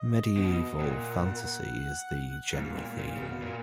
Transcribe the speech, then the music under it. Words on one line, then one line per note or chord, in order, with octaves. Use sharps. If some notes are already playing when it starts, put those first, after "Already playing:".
Medieval fantasy is the general theme.
Already playing: D#5
B2
A#2 F#5
G#2 F5
A#2
A#2
C#3
B2
A#2